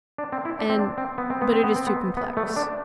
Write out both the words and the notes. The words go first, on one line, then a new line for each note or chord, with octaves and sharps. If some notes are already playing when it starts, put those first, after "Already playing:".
And--but it is too complex.
D4
C4
E4
D4
C4
D4
C4
B3
C4
B3
C4
B3
C4
B3
B3
A3
D4